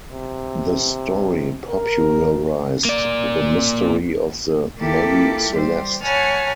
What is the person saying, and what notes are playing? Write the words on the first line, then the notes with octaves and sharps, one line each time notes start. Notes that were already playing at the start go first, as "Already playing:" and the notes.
The story popularised the mystery of the "Mary Celeste".
C3
A#4
A#3 D5
A#3 E4 F4 G4 A4
G3 G4 C5
C#5 F#5 G#5 A5 B5 F6